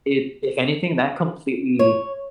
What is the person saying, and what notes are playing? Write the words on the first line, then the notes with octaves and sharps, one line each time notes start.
it if anything, that completely
C#5